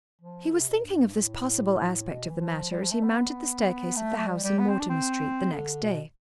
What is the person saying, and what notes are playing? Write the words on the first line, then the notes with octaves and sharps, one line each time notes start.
He was thinking of this possible aspect of the matter as he mounted the staircase of the house in Mortimer Street the next day.
F3
D3
C3
B2
G2
A2
B2
E3
F3
G3
F3
A3
B3
A3
A3
G3
G3
B3
C4
D4
C4
D3
B2